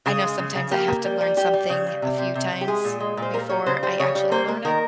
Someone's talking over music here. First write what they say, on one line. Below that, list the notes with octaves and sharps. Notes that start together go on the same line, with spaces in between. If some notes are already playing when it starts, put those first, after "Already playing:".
I know sometimes I have to learn something a few times before I actually learn it.
C#3 G#4
G#3
C#3
C#3
A#3 G4
A#3
G3
G3
G3 G4
G3
C#3
G3
C3
C3
C3
C3
G4
G#3 G#4
A#2
G#3
A#2 C5
G3 A#4
G3 C#5
C#3 C5
G3 C5
C#3 C#5
G3
A#3 C5
A#3
D#3 A#4